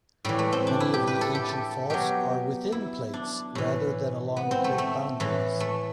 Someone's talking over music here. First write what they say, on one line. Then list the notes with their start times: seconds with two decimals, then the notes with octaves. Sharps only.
Many of the ancient faults are within plates rather than along plate boundaries.
0.25 A2 E3 G3
0.39 A3
0.52 C4
0.67 D4
0.80 E4
0.94 G4
1.07 B4
1.21 A4
1.35 G4
1.49 A4
1.90 B2 F#3 G4
2.72 E4
3.14 D4
3.55 A2 E3
4.37 B3
4.51 C4
4.64 A3
4.78 A3
5.20 A2 E3
5.60 A3